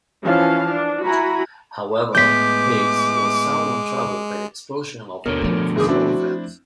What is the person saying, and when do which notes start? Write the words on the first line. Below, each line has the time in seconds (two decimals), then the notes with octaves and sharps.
However, Higgs was somewhat troubled by the expulsion of many of his old friends.
0.24 E3 F3 C#4 F5 A5
0.72 D4
1.05 E4 F#4 G#5 A#5 B5
2.15 A2 G#3 B3 D6 G6 B6
5.26 D#2 B2 D3 A#4 C#5
5.42 F3 A3
5.76 F1 D#3 G#4 D6
5.89 C4 D4 E4 F#4